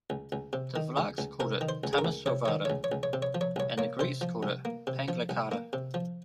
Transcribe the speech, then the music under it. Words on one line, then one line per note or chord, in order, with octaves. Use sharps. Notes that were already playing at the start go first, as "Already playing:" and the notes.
The Vlachs called it Tomisovara and the Greeks called it Panglicara.
C#2
C#2
C3
D#3
C#2
C#2
C3 A#4
D#3
C5
C#2
G#4
A#4
C#2
C3 C#5
D#3 C#5
C#2 C#5
C#5
C#2
C#5
C3
C#5
F3
C#5
C2 C#5
A#3 C#5
C3 C5
F3
C2
A#3
C3
F3
C2
A#3
C3
F3